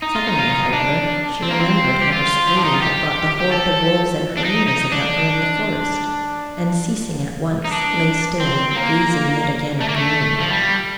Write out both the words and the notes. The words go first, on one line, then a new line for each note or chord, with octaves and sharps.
Suddenly, however, she remembered how her screaming had brought the horde of wolves and hyenas about her in the forest, and, ceasing at once, lay still, gazing yet again at the moon.
D#4
F4
D#4
F4
D#4
D4
C4
A#3
C4
G4
F4
C4
D4
D#4
F4
G4
G4
A4
D4
D#4
D#4
D4
D#4
D4
C4
C4
A#3
A3
A#3
A3
F3
G3